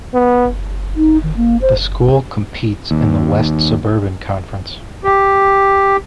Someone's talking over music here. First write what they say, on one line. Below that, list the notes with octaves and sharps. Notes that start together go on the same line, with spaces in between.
The school competes in the West Suburban Conference.
B3
D#4
D#3
A#3
C5
D#2
G4